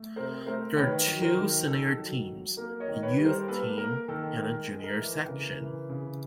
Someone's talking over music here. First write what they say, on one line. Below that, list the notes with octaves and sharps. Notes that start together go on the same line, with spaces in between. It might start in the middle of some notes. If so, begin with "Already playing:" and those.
There are two senior teams, a youth team and a junior section.
Already playing: A3
C3 A#4 C5
A3 A#4 C5
D#3 B4 C#5
F#3
A#4 C5
D#3
D#3 A4
F#3
F#3
A#3 A#4
C#5 D#5
D#3
B4 C#5
G3
A#4 C5
A#3 A4 B4
A#3 A#4
D#3 A4
G#3 A#4
G#3
A#4
E3
C#3 A#4
E3
C#3